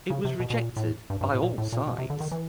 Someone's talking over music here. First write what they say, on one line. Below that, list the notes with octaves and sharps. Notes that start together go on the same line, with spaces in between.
It was rejected by all sides.
C#3
C3
B2
B2
A#2
A2
G2
G2
A2
A#2
A2
A#2
B2
C3
D3
D#3
E3